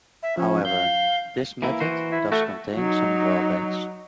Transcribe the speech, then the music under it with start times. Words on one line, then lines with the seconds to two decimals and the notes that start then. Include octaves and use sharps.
However, this method does contain some drawbacks.
0.23 E5
0.37 F3 C#4
0.65 F5 G6
1.62 E3 A#3 E4
1.80 E3 F#4 C5
2.12 E4
2.32 A3 F#4
2.75 F#3 D#4